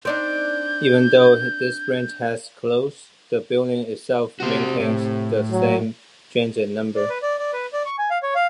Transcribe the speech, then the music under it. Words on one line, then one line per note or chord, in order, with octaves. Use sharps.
Even though this branch has closed, the building itself maintains the same transit number.
C4 D4 D#4 G6
C3 F#4 C5
A2
F#3
D5
B4
D5
D5
B4
D5
C#6
G#5
F5
C#5
F5